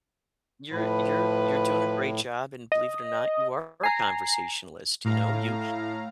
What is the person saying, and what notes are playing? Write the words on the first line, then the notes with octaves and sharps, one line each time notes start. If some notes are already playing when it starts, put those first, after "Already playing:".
you're you're you're doing a great job, and believe it or not, you are a conversationalist, you know? You
A2 F3 B4
D#5
G#5 A#5 C7
A2 F5 A#5